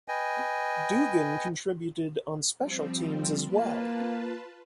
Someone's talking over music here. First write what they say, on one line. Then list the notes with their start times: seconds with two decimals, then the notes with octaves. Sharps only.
Dugan contributed on special teams as well.
0.08 B4 D#5 G5 G#5
2.60 F3 G3 C4
3.46 A#3 F4 B4 A5